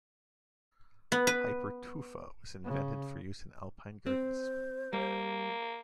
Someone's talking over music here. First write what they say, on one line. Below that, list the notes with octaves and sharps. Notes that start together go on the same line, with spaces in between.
Hypertufa was invented for use in alpine gardens.
B3
B4
C#3
C4 C5
G3 A#3